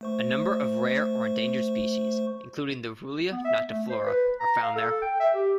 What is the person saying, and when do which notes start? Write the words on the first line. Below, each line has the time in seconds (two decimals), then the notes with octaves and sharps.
A number of rare or endangered species, including the "Ruellia noctiflora", are found there.
0.01 A3 C5 C#6
3.32 B3
3.45 E5
3.68 A3
3.89 C5
4.05 B4
4.40 A#5
4.63 F5
4.76 A4
5.02 G5
5.20 E5
5.34 G4